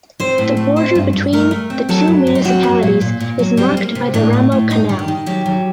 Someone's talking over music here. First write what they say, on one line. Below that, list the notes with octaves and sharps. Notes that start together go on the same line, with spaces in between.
The border between the two municipalities is marked by the Ramo canal.
C4 C5
A2
A3
C4 C5
G2
G2
A3 A#4
A3
C4
F#3 A4
F#2
F#2
D#4
C4 F#4
F#3
A#2
A#2
A#2
F#3
G3 C4
A#3
C3
A2 D4
A3
A2
G2 D#4
D#3
G4
D#3
F#3 G4
F#3